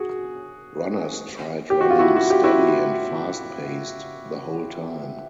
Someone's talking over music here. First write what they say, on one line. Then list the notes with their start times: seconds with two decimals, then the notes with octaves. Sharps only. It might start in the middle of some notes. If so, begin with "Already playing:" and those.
Runners tried running steady and fast-paced the whole time.
Already playing: F#4 G#4
1.70 G4
1.81 F#4
1.90 F4
1.99 E4 F#4
2.16 F#4
2.30 G4
2.44 E4 F#4